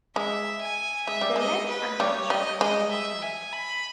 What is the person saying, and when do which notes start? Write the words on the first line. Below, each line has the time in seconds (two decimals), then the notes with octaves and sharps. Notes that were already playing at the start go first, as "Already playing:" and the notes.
The legs are not represented.
0.16 G#3 E5
0.62 G#5
1.07 G#3 E5
1.21 G3
1.36 G#3 D#5
1.69 B4
1.99 G3 C#5
2.30 G3 D#5
2.61 G#3 D#5
2.92 E5
3.22 G#5
3.53 B5